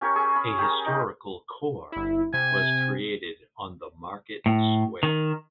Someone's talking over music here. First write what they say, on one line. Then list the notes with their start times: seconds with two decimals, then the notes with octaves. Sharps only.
A historical core was created on the market square.
0.01 C#4 G4 A#4 C#5
0.16 G#4 C#6 E6
0.36 B5 C#6
0.58 G4 G#4 A#4
0.86 D#4 G4
1.92 G1 E4
2.34 C3 G#5
4.46 A2
5.03 D#3